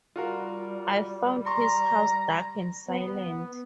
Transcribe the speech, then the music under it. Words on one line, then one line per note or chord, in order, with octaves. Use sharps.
I found his house dark and silent.
G3 F4 F#4 A#4
A#5 C6 C#6
B3